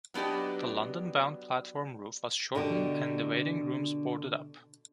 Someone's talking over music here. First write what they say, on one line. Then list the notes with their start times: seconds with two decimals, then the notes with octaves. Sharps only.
The London-bound platform roof was shortened and the waiting rooms boarded up.
0.14 F#3 B3 D4 G4 D#5
2.55 B2 D3 F#4 G4 A#4